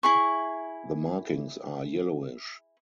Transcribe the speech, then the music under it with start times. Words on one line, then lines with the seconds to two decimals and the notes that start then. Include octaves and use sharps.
The markings are yellowish.
0.03 E4 G#4 C#6